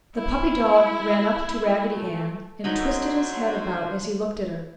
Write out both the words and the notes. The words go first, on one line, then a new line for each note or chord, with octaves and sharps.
The puppy dog ran up to Raggedy Ann and twisted his head about as he looked at her.
E4
A3
D3 F#3 D#4 C5 D#5 B5